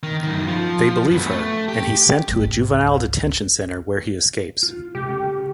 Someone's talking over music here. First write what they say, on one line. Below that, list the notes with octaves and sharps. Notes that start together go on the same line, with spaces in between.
They believe her, and he's sent to a juvenile detention center where he escapes.
D#3
F#2 D#3
F3
F#2 B3
A3
G4
G#1 C#2
F4
C3 G#3 A3 G4
C#3 C#4 A4